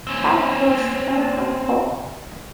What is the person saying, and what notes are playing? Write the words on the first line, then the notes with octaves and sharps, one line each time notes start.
Kyle Busch started on pole.
C4 C#4